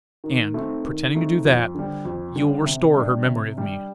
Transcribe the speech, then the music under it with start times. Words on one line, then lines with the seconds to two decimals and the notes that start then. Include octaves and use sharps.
"And, pretending to do that, you will restore her memory of me."
0.24 D#3
0.54 A3 C4 D#4
0.84 D#3
1.15 A3 C4 D#4
1.45 F2
1.75 D3 G3
2.05 F2
2.36 D3 G3
2.65 C3
2.96 G3 D4
3.26 C3
3.56 G3 D4